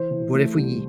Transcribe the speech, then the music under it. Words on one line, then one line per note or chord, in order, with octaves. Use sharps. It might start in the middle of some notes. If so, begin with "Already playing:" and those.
what if we
Already playing: E3 C5
E3
A3
C2